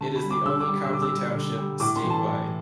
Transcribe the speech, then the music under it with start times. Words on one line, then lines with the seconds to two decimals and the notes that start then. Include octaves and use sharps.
It is the only Copley Township statewide.
0.01 D3 A5
0.15 B5
0.23 G3
0.31 D6
0.45 D3 E6
0.60 D6
0.68 G3
0.85 E6
0.90 D3 D6
1.02 E6
1.13 G3
1.35 D3
1.58 G3
1.80 A2 D6
1.96 C6
2.03 E3 A3
2.10 A5
2.25 A2